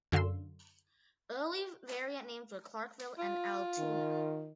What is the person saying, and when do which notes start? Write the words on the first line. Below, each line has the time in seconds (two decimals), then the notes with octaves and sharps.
Early variant names were Clarkville and Altoona.
0.12 F#2 D3 F5 C6 E6
3.18 F4
3.78 D#3